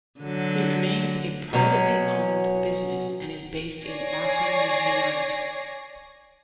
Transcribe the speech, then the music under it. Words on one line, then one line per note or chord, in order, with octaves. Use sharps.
It remains a privately owned business and is based in Auckland, New Zealand.
D3 F#3
B2 F#3 C#4
C#5 D5 G#5 A#6 C7